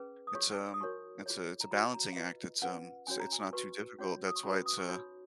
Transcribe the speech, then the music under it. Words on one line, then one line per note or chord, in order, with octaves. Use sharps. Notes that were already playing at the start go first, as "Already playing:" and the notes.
it's, um, it's a it's a balancing act, it's, um, it's not too difficult, that's why it's a
Already playing: C#4 G#4 B4
D#6
F4 G#4 C#5 C#6
D#6
D#4 F#4 A#4 C#5 C#6
F4 G#4 C#5
A#5
F#4 C#5 B5
A#5
F5
F4 B4 D#5
C#4 F4 B4 F#5
C#4 F#4 C#5 G#5
A#5
G#5
F#4 B4 C#6
C#4 F#4 C#5
D#6
C#6
C#4 F#4 B4 B5
D#6
C#6
D#4 F#4 C#5 B5